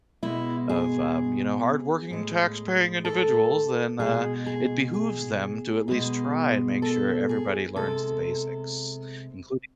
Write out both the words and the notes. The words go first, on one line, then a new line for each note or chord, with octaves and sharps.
of, um, you know, hardworking taxpaying individuals, then, uh, it behooves them to at least try and make sure everybody learns the basics, including
B2 G#3 E4
G#4
A2 G#3
A4
B2 G#3 G#4
G#4
G#4
B2 G#3
A4
G#4
C3 G#3 A4